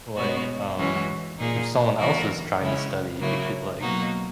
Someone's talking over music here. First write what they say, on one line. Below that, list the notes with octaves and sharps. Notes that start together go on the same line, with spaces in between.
like, um, if someone else is trying to study, it could, like
B2 G#3 B3 F#4 C#5
E3 G#3 C#4 F#4
A#2 A#3 D#4 G#4
E3 B3 F#4 A#4
C#3 G#3 C#4 E4
C#3 F#3 A#3 E4
B2 F#3 A#3 D#4 F#4